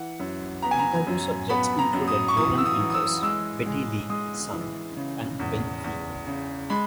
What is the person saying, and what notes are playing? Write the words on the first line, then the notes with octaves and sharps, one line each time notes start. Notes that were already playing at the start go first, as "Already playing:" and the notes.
Interview subjects included Roland Winters, Betty Lee Sung, and Ben Fee.
Already playing: E3 F#5
F#2
B3 A#5
G#5
A#5
F#2
B3 B5
A#5
F#2
D#6
C#6
E3 D#6
E6
D#6
E3
D#6
E6
G#3 E6
G#3
G#3 D#6
E3
C#3
E2
E2
C#3
G#3 B5